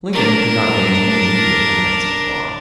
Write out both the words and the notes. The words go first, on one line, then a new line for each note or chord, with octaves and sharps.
Lincoln did not gain any immediate eminence at the bar.
D4 A#4